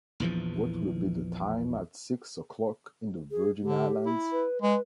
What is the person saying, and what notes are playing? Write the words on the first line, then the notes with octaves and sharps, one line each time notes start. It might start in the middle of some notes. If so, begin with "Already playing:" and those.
What will be the time at six o’clock in the Virgin Islands?
A#1 E2 E3 F3
G#4
D3 G4
E4
B4
G#3 B4